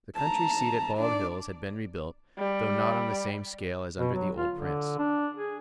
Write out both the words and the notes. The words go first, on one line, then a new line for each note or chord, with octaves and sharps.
The country seat at Bald Hills had been rebuilt, though not on the same scale as under the old prince.
A5 A#5
D4 D5
G3
B2
F#3
F4
D3
D4
G#4